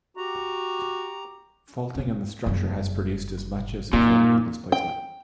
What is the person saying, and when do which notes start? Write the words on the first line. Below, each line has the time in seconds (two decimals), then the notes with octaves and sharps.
Faulting in the structure has produced as much as of vertical displacement.
0.17 F#4 G4 A#5
1.95 A#3 C4
2.46 F#1 G3
3.93 A#2 D#4
4.72 G5